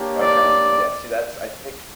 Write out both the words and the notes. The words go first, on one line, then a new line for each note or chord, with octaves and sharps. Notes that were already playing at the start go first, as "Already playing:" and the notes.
Okay, yeah, see, that's I think
Already playing: A#3 D4 G4 C#5
D5